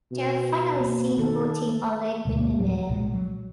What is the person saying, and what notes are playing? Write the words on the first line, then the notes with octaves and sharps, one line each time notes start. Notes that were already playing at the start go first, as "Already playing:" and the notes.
They are finally seen boating on Lake Windermere.
B2
A#3
D#3 A4
D2 B2 G#3
D1 A2 F#3 B3
B1 A#2 G#3
F#3